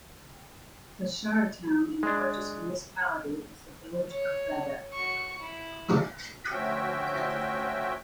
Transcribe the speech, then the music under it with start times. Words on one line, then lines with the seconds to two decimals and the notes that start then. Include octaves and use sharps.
The shire town and largest municipality is the village of Baddeck.
2.03 G#3 D4
4.10 C#5
4.92 F#4 C#6
5.38 E4
6.51 D2 F3 C#4 F#4 E5 G5